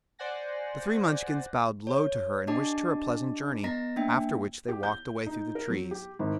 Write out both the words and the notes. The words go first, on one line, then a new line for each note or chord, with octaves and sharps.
The three Munchkins bowed low to her and wished her a pleasant journey, after which they walked away through the trees.
C5 D5 F#5 G#5 A#6
C#5
D4 G4 D#5 A5 D6
B3 D#5 A#5 A#6 B6
A#3 D4 E5 G5
G4
G6
D#4
A#4
F#3
G4
G#1